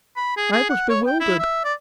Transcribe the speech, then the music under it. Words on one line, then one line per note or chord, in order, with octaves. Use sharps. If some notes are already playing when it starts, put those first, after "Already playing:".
I was bewildered.
B5
G#4
G#4
F#5
C#5
G5
E4
E5
D5